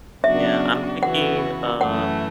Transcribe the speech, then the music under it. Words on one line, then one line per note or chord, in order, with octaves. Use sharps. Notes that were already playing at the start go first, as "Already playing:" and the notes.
Yeah, I'm thinking uh
C#3 F#3 B3 D4 F#4 E5
C#3 E3 B3 F#4 F#5
F#2 E3 A3 F#5